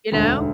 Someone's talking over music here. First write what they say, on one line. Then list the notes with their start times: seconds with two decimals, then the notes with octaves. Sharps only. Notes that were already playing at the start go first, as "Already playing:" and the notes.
You know?
0.12 E1 D2 D3